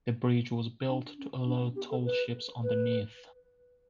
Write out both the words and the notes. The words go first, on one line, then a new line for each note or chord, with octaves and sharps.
The bridge was built to allow tall ships underneath.
D4
C#4
D4
B3
G4
A4
B4
B4